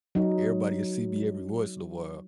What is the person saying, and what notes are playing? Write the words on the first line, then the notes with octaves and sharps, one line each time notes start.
everybody will see me every once in a while.
F#3 D#4